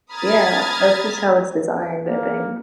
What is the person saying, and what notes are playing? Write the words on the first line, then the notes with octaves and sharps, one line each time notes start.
Yeah, that's just how it's designed, I think.
A#5 B5 D#6 F6 G#6 A6
A#3